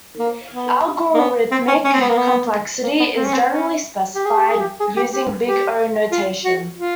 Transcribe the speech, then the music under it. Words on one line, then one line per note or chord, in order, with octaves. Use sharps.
Algorithmic complexity is generally specified using Big O Notation.
A#3
B3
A#3
B3
C4
C#4
C#4
C4
B3
A#3
B3
A#3
B3
C4
C#4
C4
C#4
G4
G#4
G4
G#4
G4
G#4
G4
G4
G4
F4
F#4
F4